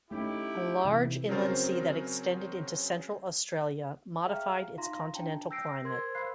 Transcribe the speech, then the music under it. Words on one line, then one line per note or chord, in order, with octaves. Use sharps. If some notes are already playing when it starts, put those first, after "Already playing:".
A large inland sea that extended into central Australia modified its continental climate.
A3 C#4 D#4 E4 G4
C3 E3 E5
C#3 F#3 C4 A#4 C5 A6
G#4 E5 F5 G5 A#5 F6
D#4 F4 F5 A#5 C6 A#6
D4 G5 A5 A#5
G5 E6 G6 A#6 C7 D7
A#4 C5 C6 E6 G#6
C5 F5 B5 C6 F#6 C7